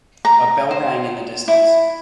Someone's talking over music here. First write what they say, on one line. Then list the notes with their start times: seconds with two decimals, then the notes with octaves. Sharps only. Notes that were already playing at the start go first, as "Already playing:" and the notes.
A bell rang in the distance.
0.25 A#5
0.71 C5
1.48 E4